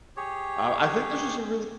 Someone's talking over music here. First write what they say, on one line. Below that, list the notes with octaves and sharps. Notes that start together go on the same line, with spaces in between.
I w I think this is a really
G4 G#4 C#5